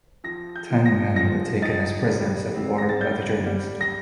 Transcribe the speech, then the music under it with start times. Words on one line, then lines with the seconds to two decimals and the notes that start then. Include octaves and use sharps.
Ten men were taken as prisoners of war by the Germans.
0.24 F3 A#6
0.56 G6
0.70 F3
0.86 A#6
1.16 F3 A#6
1.62 D#4 A6
2.09 G3
2.55 C4
2.78 A#6
2.89 A6
3.00 G3 G6
3.46 G3
3.81 A#6